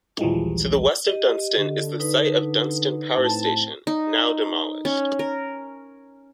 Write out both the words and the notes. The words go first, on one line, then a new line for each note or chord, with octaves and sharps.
To the west of Dunston is the site of Dunston Power Station, now demolished.
A#1 D#2 E3 F3 G3 G#3
G4 D#5
D3
D#4 B4
A2 C4 A5
D#4
C#4
A#4